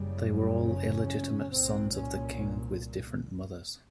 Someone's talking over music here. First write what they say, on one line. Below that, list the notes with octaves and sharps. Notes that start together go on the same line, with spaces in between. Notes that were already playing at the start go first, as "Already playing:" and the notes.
They were all illegitimate sons of the king with different mothers.
Already playing: F#1 F#2 C#3 G3
C#4
C2 A#2 C4
C#4